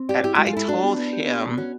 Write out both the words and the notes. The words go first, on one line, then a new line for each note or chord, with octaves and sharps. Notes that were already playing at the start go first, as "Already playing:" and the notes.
And I told him
Already playing: C4
G4 D5
E4 G4
G#3 F#4
F4
E4 A4
D4 F#4
B3
B3
G4
B3
B3
C#4 F#4